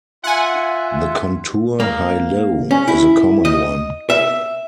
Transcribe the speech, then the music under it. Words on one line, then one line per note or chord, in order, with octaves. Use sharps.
The contour high-low is a common one.
F4 E5 F#5 G#5
A#3
C#4
E4
D#5
E5